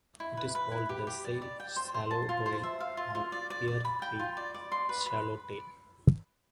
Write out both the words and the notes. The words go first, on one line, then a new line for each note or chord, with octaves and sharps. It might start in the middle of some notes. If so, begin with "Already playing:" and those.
It is also called the sail swallowtail or pear-tree swallowtail.
E4
B4
B4
E4
G4
G4
D5
D5
G5
C5
C5
A5
F4
C5
E5
F5
F4
F4
D5
D5
D5
B5
G5
F4
D5
D5
C6
B4
B5